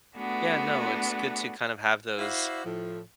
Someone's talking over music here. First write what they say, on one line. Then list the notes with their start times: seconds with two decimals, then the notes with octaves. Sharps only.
Yeah. No. It's good to kinda have those
0.17 A3 B3 D4 F#4 G#4
2.18 E4 F#4 C5 D5 E5 F5
2.65 A2 F3